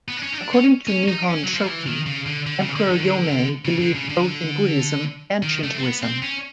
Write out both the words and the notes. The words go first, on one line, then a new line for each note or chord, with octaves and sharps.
According to Nihon Shoki, Emperor Yomei believed both in Buddhism and Shintoism.
B3
D4
C#4
D#4
D4
C#4
C#4
D#4
D4
C#4
F#3
F3
E3
D#3
C#3
D3
D3
C#3
D3
D3
D#3
D3
C#3
D3
C#3
D3
D#3
A3
C4
B3
C4
C#4